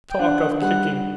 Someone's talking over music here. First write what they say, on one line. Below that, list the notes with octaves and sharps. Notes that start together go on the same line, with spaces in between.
Talk of kicking!
G5
D4 F#5
G3 F#5